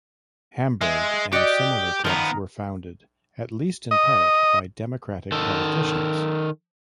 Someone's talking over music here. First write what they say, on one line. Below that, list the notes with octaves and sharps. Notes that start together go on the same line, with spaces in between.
Hamburg and similar clubs were funded, at least in part, by Democratic politicians.
G#3 E5
F#4 G4 D5 D#5
D#3 F3 B3 B4 A#5
D#5
D#3 A4